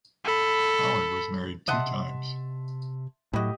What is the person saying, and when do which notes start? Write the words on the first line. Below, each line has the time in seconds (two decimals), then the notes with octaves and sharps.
Howard was married two times.
0.25 A4 B5
1.68 C3 D#5 E5 F#5 A5 C6
3.33 A2 F#3 E4 F#4 G4 D#5 D#6